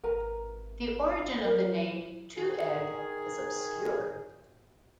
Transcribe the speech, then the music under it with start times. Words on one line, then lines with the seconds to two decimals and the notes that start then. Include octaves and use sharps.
The origin of the name Two Egg is obscure.
0.03 G#1 A#4 B4 A#5
1.45 F#3 A#4
2.37 D#3 G#4